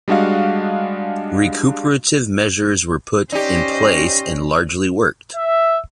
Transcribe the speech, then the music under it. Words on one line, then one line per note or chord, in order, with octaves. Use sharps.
Recuperative measures were put in place and largely worked.
G3 G#3 D4 F#4 D#5 F5
C#4 D#4 G4 C5 D5 D#5
E5